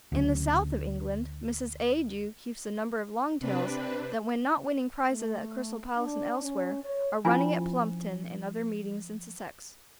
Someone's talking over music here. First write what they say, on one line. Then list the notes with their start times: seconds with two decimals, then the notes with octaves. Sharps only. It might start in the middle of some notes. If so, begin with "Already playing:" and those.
In the South of England Mrs. A. Dewe keeps a number of longtails that when not winning prizes at the Crystal Palace and elsewhere are running at Plumpton and other meetings in Sussex.
0.12 D2 C#3 F#3 C#4
3.39 C3 C4 D4 B4
5.11 A3
5.97 D4
6.42 C#4
6.84 C#5
7.25 F3 C#4 E4 F4 G#5 B5